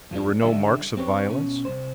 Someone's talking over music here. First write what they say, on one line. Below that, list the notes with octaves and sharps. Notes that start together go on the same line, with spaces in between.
"There were no marks of violence?"
F2 F3 G3 D4
D3 G3 D4 E5
C4 G4 B4 C#5
B2 C#4
C2 G#2 C5